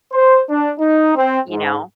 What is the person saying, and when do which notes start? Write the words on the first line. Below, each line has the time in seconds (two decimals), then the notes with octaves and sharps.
You know?
0.12 C5
0.49 D4
0.79 D#4
1.15 C4
1.49 G#2